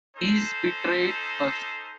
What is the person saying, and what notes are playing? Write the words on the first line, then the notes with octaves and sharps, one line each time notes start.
He's betrayed us.
C#4 D#4 A4 C5